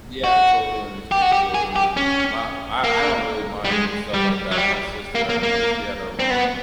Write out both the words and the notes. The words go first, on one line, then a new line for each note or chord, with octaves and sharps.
Yeah, totally understandable, you know my I I don't really mind stuff like that. My sister, I remember, she had a long
F#4
G4
F#4
G4
G#4
G4
C#4
A#3
G3
G#3
G3
F#3
G3
A#3
A#3
A#3
C4
B3